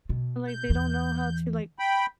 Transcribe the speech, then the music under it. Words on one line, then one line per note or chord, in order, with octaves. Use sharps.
Like, they don't know how to, like
B2
G6
E2 E3
G5 B5